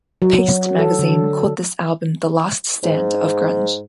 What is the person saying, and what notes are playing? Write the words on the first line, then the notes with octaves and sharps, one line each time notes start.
"Paste" magazine called this album the "last stand" of grunge.
F#3
A4
D3
G#2